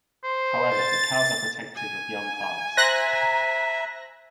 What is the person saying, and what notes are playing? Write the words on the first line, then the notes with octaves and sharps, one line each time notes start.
However, the cows are protective of young calves.
C5
A6
G#5
C5 E5 A#5 F#6 A#6